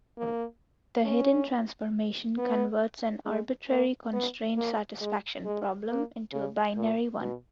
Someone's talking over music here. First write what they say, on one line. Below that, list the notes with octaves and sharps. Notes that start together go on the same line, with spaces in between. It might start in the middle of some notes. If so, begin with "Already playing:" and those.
The hidden transformation converts an arbitrary constraint satisfaction problem into a binary one.
A#3
C#4
B3
G#3
A#3
B3
A#3
G#3
G#3
A#3
C#3
A#2
B2